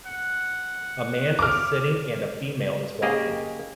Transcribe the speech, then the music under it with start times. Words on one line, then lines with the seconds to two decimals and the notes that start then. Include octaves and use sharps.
A man is sitting and a female is walking.
0.06 F#5
1.39 D6 F6
3.02 C#3 A#3 G4 G#4 D#5